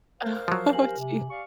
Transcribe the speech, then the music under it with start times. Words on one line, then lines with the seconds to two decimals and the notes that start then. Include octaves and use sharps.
Oh, gee.
0.21 A#4 C5 F5
0.48 F3 F#3
0.73 G4 G#5 F#7
0.98 C3
1.30 D5 F5 C#6